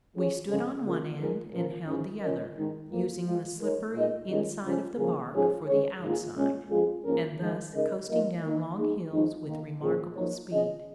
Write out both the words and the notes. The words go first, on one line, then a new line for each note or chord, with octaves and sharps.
We stood on one end and held the other, using the slippery inside of the bark for the outside, and thus coasting down long hills with remarkable speed.
F3 C#4 G#4 C#5
F2 C#3 G#3
C#3 A#3 F4
F3 G#3 D#4 A#4
A#2 F3 C#4 A#4
G#2 F3 C#4
F3 C#4 F4 A#4 D#5
G#2 D#3 G#3 D#4
F2 F3 A#3
F3 G#3 F4
G#3 D#4 A#4 C#5
A#2 G#3 D#4 A#4 D#5
D#3 C#4 F4 G#4 D#5
C#3 F3 G#3 C#4
C#3 F3 A#3 F4 G#4
G#2 F3 C#4 G#4 C#5
G#3 C#4 G#4 C#5
G#2 D#3 A#3 F4 G#4
A#2 G#3 C#4
F2 F3 G#3 F4 G#4
G#2 F3 A#3 C#4 A#4
G#2 D#3 G#3
C#3 G#3 D#4 A#4 D#5
F3 A#3 D#4 A#4 D#5
D#3 A#3 D#4
G#3 D#4 G#4
F2 F3 G#3 D#4
D#3 A#3 D#4
A#2 F3 C#4 G#4
F3 A#3 D#4 C#5
F3 C#4 G#4 D#5